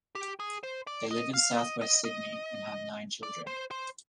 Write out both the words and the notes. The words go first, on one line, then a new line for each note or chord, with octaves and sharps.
They live in south-west Sydney and have nine children.
G4
G#4
C5
D5
D#5
F5
D#5
D#5
D#5
D5
C5
C5